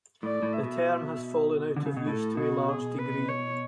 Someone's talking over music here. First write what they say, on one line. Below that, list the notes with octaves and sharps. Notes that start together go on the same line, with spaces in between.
The term has fallen out of use to a large degree.
A2 D5
A2
E5
B2
D3
C#3
B2
A2 A4
B2 F#4
G#4
B4
C#5